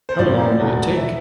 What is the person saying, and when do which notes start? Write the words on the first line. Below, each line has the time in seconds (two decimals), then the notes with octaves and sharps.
How long it will take?
0.09 C5
0.19 A1 A2 F3 D5
0.58 E1 E2 B2
0.97 E3 E5